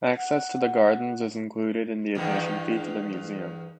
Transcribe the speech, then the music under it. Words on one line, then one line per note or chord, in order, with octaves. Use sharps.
Access to the gardens is included in the admission fee to the museum.
F#5
E2 G2 D#3